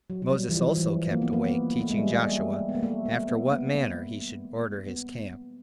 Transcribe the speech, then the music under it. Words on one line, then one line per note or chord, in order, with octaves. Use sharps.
Moses also kept awake, teaching Joshua after what manner he should order his camp.
F#3
F#3
G3
E3
F3
E3
A#3
B3
A#3
B3
A3
G#3
G3
A3
B3
A#3
A3
A#3
B3
B3
B3